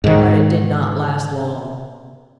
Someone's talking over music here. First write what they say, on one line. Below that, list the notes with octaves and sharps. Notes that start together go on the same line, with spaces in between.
But it did not last long.
G#2 D#3